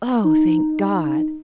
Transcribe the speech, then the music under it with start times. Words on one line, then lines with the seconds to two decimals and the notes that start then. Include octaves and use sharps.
Oh, thank God!
0.24 D#4